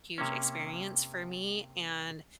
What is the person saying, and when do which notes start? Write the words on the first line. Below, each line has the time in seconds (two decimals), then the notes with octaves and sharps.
huge experience for me, and
0.18 C3 A#3 C#4